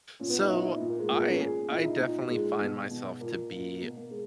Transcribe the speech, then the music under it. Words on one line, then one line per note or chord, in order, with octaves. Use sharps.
So I I definitely find myself to be
A#2 C#4
B3
D#4
A#2 E4
E4
A#2
A#3
G#3
A#2 A#3
B3
C#4
A#2 G#4
A#2 E4
D#4
A#2 D#4
A#2 G#3
B2
B2
A#2 A#3
A#2 A#3
B2 A#3
A#3
G#3